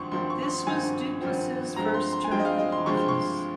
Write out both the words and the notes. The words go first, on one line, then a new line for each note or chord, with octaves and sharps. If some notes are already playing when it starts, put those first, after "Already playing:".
This was Duplessis's first term in office.
Already playing: G#1 G2 F3 C4 C6 C#6
G#1 G2 F3 C4 C6
C#6
C#6
C6
G#1 G2 F3 C4 G#5
G#1 G2 F3 C4
G2 F3 G#3 C4 A#5
C6
C6
G#5
G2 F3 G#3 C4 G5
D#5
F5
D#5
C6
G2 F3 G#3 C4 C#6
C6
C#6